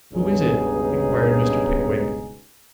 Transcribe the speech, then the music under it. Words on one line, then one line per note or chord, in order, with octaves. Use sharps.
'Who is it?' inquired Mr. Pickwick.
C#2 G2 B2 C#4 D#4 G#4